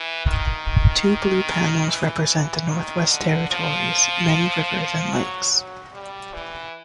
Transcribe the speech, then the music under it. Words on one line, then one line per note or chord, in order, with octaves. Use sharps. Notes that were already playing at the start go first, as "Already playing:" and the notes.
Two blue panels represent the Northwest Territories' many rivers and lakes.
Already playing: E3
D#3
E3
D#3
D3
F3
F#3
F#3
G3
E3